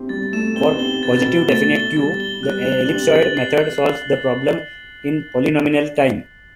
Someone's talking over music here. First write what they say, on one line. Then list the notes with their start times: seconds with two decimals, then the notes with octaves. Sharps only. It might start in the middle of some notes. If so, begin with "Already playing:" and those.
For positive definite "Q", the ellipsoid method solves the problem in polynomial time.
Already playing: C3 C4
0.09 G3 A6
0.33 A3 E7
0.56 C4 G7
0.65 B3
0.73 C3 C4
0.79 G7
1.03 B3 A6
1.11 C4
1.18 B2 B3
1.27 G7
1.49 A3 A6
1.73 G7
1.96 G3 A6
2.20 G7
2.43 G3 F#6
2.67 F#7
2.84 D4
2.90 C3 C4 F#7
3.13 A6
3.37 C7
3.60 C7